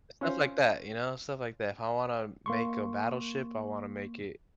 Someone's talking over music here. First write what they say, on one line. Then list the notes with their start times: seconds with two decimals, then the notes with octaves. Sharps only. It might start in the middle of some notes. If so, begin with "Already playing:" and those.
stuff like that, you know, stuff like that. If I wanna make a battleship, I wanna make it.
0.21 C#4 F4 C5 C#5
2.46 A#3 C6 C#6